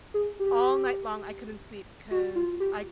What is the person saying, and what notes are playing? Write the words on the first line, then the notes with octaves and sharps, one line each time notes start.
All night long, I couldn't sleep because I c
G#4
G4
F#4
F4
G4